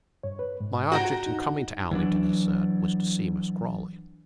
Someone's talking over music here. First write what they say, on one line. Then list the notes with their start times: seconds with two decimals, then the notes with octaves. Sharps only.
"My object in coming to Allington," he said, "was to see Miss Crawley."
0.23 G2 C#5
0.39 B4
0.60 G#2
0.92 F#4 G5 A#5
1.26 E2 D#4
1.91 E3 F#3 D4